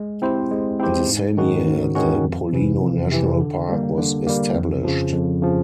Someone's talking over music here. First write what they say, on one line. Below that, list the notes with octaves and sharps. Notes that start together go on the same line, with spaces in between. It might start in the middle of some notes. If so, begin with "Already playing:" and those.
In the same year the Pollino National Park was established.
Already playing: G#3
C4 E4 G4 C5
G#3
C4 E4 G4 C5
G#2
D#3 G#3 C#4 F#4
G#2
D#3 G#3 C#4 F#4
F2
C3 E3
F2
C3 E3
D3
G3 A#3
D3
G3 A#3
F2
C#3 F3
F2
C#3 F3